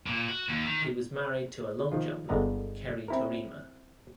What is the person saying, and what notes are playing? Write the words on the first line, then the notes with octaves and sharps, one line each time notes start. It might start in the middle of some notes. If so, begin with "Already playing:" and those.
He was married to long jumper Kerrie Taurima.
A#2
F#4
D#2
D#3
D#3 F3 F4
G1 D3 G#3 B3 D#5 A#5
C4 E4 A#4